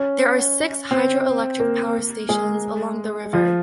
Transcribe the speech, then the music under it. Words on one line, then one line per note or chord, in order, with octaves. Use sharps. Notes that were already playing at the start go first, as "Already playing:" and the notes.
There are six hydro-electric power stations along the river.
Already playing: C#4 C#5
C4 C5
A#3 A#4
G#3 G#4
F3 F4